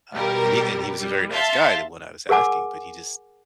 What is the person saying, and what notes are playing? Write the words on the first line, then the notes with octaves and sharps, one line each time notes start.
uh, and he and he was a very nice guy, the one I was asking, but he just
B2 G3 G4 A#4
G3
E5 F5 A5 C6
G#4 A#4 F#5 G#5 D6